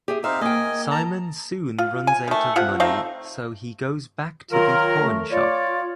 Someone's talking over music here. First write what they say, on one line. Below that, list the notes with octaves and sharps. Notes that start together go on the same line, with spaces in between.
Simon soon runs out of money so he goes back to the pawn shop.
G4 G#4 E5
C4 D#4 E5 F5
A#3 D#5 G5 G#5
A5 A#5
F4
G#5
D#3 A3
C3 F4 F#5
A3 C4 D#4 F5
D#3 F#3 F4 A#4
A3
F4 C#5 D5